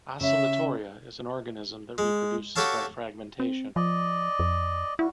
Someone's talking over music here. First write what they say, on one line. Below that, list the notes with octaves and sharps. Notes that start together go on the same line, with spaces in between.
"Oscillatoria" is an organism that reproduces by fragmentation.
C#3 E5
G#3
F#4 G4 A4 C#5 F5 A5
C4
F3 D5 D#5
F2
G3 E4 F#4